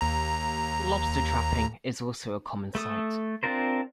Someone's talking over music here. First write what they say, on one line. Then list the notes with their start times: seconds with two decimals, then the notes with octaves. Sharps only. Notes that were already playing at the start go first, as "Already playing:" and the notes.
Lobster trapping is also a common sight.
0.01 D#2 A#5
2.75 A3 A4 D#6
3.43 C4 D4 F4 A#4 C5